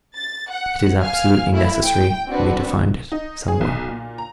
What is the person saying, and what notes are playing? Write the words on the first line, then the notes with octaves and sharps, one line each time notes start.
It is absolutely necessary for me to find it somewhere.
A6
F#5
F5 G#5 F6
A3 E4
G5
C4 D4 F#4 B4
D#4
G#4
B1
A#2
A#5